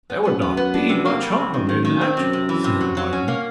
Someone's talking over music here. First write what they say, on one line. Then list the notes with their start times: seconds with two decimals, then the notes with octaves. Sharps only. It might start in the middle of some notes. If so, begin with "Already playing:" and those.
"There would not be much harm in that," said Martin.
0.10 B3
0.25 F#2 B3
0.42 B3
0.57 B3
0.74 D4
0.89 C3
1.05 A#3
1.22 G3
1.37 C3
1.53 F#2 D#3
1.69 D#3
1.85 D#3
2.01 C4
2.16 F#2 C3
2.33 C3
2.49 E3
2.64 C3
2.80 F#3
2.97 F#3
3.13 C#4
3.28 A#3